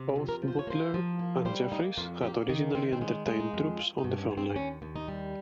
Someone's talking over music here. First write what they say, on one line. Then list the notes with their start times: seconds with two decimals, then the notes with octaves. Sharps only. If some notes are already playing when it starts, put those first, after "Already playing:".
Both Butler and Jeffries had originally entertained troops on the frontline.
Already playing: C3
0.16 F2
0.29 A#4
0.42 F3
0.48 C5
0.59 C#5
0.67 A#3 C5
0.94 F3
1.19 A#3
1.45 G3 C5
1.71 A#3 D#4
1.98 F2 F4
2.23 A#3 G4
2.49 D#3 D#4
2.75 D#3 C4
2.93 C4
3.01 G#3 C#4
3.27 G#3
3.40 D#4
3.53 F2
3.79 G2 F4
3.98 D#4
4.04 G2
4.18 C#4
4.31 G2
4.37 C4
4.56 D#2 C#4
4.82 D#2
4.96 D#4
5.08 G3